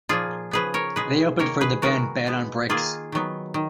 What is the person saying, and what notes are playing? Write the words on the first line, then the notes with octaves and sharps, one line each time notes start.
They opened for the band Bed on Bricks.
A#2 F3 A#3 F4 G#4
C#3 F3 B3 G#4 B4
A#4 C#5
B2 G#3 B3 G#4 B4
D#3 A#3 A#4 C#5
G#4 B4
D#3 G#3 B3 F#4 A#4
B2 G#3 B3
D#3 A#3 F4 G#4
D#3 F#3 B3
D#3